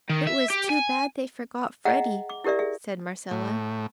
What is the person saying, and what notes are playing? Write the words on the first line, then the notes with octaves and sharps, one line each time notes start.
"It was too bad they forgot Freddy," said Marcella.
D#3
E5
G4
G#5
G#4 D#5 E5 F#5 G5 A#5
D6
E4 G4 A#4 D5 E5
G#4 E5
A2